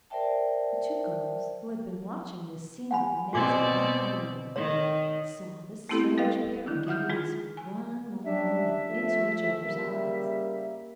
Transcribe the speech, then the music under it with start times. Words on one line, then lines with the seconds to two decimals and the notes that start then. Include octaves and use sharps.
The two girls, who had been watching this scene with amazement unutterable, saw the strange pair gaze, for one long moment, into each other's eyes.
0.10 A#4 C5 D5 E5 G5 A5
2.91 F#5 G#5 B5
3.33 B2 C4 F#4 D5 G#5 D6
4.56 D#3 C#5
5.89 A3 B3 C4 E4 G4 A4
6.18 G3 A4 B4 D#5 F5
6.66 D3 D#3 D4 E4
6.87 D#4 E5 F#5 F6 G6
7.10 G#3 F4 G#4
7.57 G#5
8.24 G3 C#4 D4 E5
8.88 F3 A3
9.62 C#3 G3 A#3